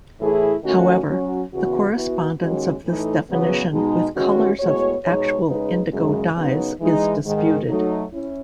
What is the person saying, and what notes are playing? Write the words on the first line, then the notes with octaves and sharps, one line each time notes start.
However, the correspondence of this definition with colors of actual indigo dyes is disputed.
A2 E3 A3 E4 G#4
D#3 A3 C#4 F#4
F#3 C#4 F#4
E2 C#3 E3 B3 F#4
E3 B3 F#4
D#2 D#3 G#3 C#4 F#4
A2 E3 A3 D#4
E2 C#3 F#3 B3
B2 G#3 D#4
E2 D#3 G#3 C#4 F#4
A2 G#3 B3 F#4 C#5
B2 G#3 D#4 G#4 C#5
C#3 G#3 D#4 G#4 B4
F#2 C#3 G#3
C#3 F#3 B3 D#4
E3 G#3 D#4
G#2 D#3 G#3
F#3 A3 D#4
C#4 E4